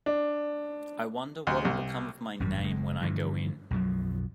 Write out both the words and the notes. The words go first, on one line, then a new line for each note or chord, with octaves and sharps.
I wonder what’ll become of my name when I go in?
D4
D2
C2
G#1 F#2 A2 G3
F#1 G#3
G2 D3 E3 F3
B1 F#2 F3 F#3